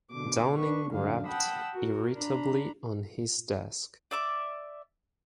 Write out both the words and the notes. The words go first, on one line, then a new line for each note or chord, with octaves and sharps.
Downing rapped irritably on his desk.
B2 D3 D6
D4 B4 C#6
F#2 A2 D3 F5
F#5 G5 A5 B5 D#6 E6
F#4 A#4
D4 A#5 B5
D5 E5 D6